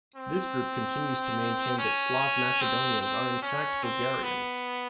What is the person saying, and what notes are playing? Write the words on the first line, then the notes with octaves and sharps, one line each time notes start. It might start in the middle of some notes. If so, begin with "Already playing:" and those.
This group continues to maintain that Slav Macedonians are in fact Bulgarians.
C4
C#4
C4
C4
C#4
C4
B3